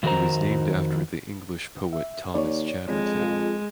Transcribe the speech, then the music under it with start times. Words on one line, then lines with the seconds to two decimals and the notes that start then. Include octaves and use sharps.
He was named after the English poet Thomas Chatterton.
0.03 F2 D#3 F#4 A#4 C5 A#5
1.93 E5
2.34 D#2 C#5 D5
2.88 F2 G#3
3.20 F4 G#4